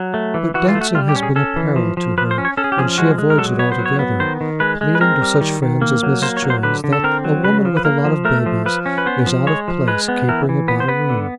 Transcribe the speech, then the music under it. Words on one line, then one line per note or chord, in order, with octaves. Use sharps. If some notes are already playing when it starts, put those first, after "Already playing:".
But dancing has been a peril to her, and she avoids it altogether, pleading to such friends as Mrs. Jones that a woman with a lot of babies is out of place capering about a room.
Already playing: F#3
A3
E3
E3 F#4
F4
A3
F#4
G3 F4
G4
C#4
G#4
C#4 A4
E3
F3
F3
F3 B4
C5
C#4
C#5
C#4 A4
G#4
G4
F3 G#4
G#3 F#4
G#3
A#4
F#3 A4
B3 C#5
C5
F#3
C#5
B3
D#3 C5
D#3
G#3 B4
G#3
B4
C4 A#4
G3
D#3
D#3
A#3
F#3
A#3 C5
C#5
F#3
C5
D3 B4
D3
A4
C4 A#4
F#3
C#3 B4
F3
B4
A#3 A#4
F3
A3 A#4
F3
F3 B4
C#4
B4
B3 C5
F3
G#3 C#5
F3
G#3 B4
B3
E3 A#4
E3
B3 B4
C5
B3 B4
D3